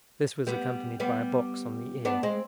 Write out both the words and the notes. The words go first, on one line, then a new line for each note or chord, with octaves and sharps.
This was accompanied by a box on the ear.
G3 B3
G3 B3
B3 D4
G#3 C4